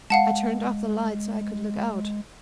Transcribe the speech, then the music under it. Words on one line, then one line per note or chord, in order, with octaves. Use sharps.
I turned off the light so I could look out.
G#3 F5 F#5 A5